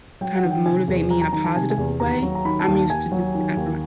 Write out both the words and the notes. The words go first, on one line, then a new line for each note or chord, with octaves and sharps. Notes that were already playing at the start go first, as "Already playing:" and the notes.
kind of motivate me in a positive way. I'm used to doing that for my
F#3 G5
F#5
D#3
G5
C3 G#5
E2
F#3 A#5
A#5
D#3 A#5
A5
C3 G#5
G#5
E2
D#2 A#5
F#3
A#5
D#3 B5
A5
D#2
A5
D#2 G#5
F#3
D#3
D#2